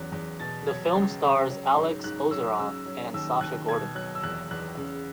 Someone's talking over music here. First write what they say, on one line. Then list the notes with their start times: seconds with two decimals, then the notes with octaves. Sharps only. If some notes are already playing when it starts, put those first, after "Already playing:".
The film stars Alex Ozerov and Sasha Gordon.
Already playing: E2 C#3 F#3 F#6
0.12 E2
0.40 B2 A6
0.67 F#3 G#6
0.95 C#2
1.22 C#2
1.50 F#3
1.77 G#2
2.04 G#2 F#6
2.31 F#3 E6
2.59 C#3 E6
2.86 F#3
3.14 D#2 E6
3.41 D#2 F#6
3.68 B2 G#6
3.95 F#3 F#6
4.15 E6
4.23 E2 F#6
4.51 E2 F#6
4.77 C#3